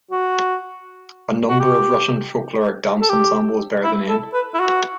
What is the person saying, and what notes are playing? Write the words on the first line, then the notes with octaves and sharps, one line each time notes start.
A number of Russian folkloric dance ensembles bear the name.
F#4
F#4
G4
A4
G4
E4
A4
B4
E4
F#4